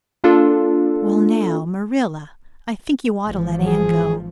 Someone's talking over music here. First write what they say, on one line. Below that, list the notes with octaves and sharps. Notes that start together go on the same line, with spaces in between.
"Well now, Marilla, I think you ought to let Anne go."
A#3 D4 F4 A4
G#1 E3 F3
G#4